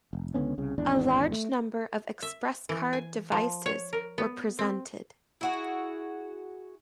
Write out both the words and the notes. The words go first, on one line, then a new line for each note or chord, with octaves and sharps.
A large number of ExpressCard devices were presented.
F1
C#2 D3 B3 C#4
C2 C#3
G#1 E2 D4
A3
E5
E3
G#5
F3
C#5
A#4
B3
C4
E4 F#4 G#4